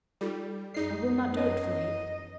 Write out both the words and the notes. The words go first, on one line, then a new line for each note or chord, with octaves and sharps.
"I will not do it, Philip."
G3 D#4 F4 A4
F#2 F#3 D#4 G#4 D5 C7
C#4 C#5 D#5